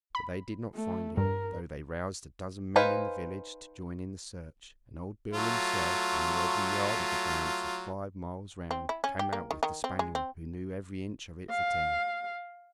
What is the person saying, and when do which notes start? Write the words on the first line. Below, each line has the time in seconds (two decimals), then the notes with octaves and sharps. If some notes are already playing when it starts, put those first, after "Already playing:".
But they did not find him, though they roused a dozen men in the village to join in the search, and old Beale himself, who knew every yard of the ground for five miles round, came out with the spaniel who knew every inch of it for ten.
0.15 B5
0.74 A3
1.17 G2 A#4
2.76 D#4 B4 C5 F5 G#5
5.33 F#3 A3 F4
8.71 C4
8.89 E4
9.04 C#4
9.19 G4
9.33 A#3
9.51 D#3
9.63 D#3
9.84 C4
9.99 G#3
10.15 C4
11.51 F5